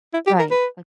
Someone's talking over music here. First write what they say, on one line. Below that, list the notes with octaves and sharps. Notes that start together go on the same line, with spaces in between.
Right, like
E4
G4
A#4
B4